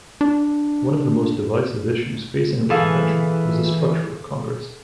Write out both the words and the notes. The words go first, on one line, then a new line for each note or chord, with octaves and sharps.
One of the most divisive issues facing the Convention was the structure of Congress.
D4
E3 G#4 A4 F5